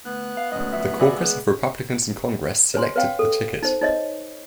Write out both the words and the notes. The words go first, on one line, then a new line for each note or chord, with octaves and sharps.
The caucus of Republicans in Congress selected the ticket.
D2 B3 F#6
F5
D2 G#2 C#4 D#5
F#2 F3 E5
F#4 B4 D5 E5 G#5
G#3
B4 C#5 G#5 C6
B4 C#5 F5 G5
A4
D#4 C5
D#4 C#5 D#5